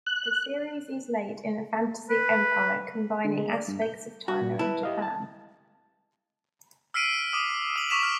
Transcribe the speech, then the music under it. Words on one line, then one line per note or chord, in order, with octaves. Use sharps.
The series is laid in a fantasy empire combining aspects of China and Japan.
F#6
B4
D3
G#3
D5
G2
G6
F#4
A#2
E4 B4 A5
G4 D#5 F5
A5
E6 F6 B6 C7 D7 D#7
D6 D#6 D#7
D#6 F#7
C#6 D6 B6 E7 F7
F6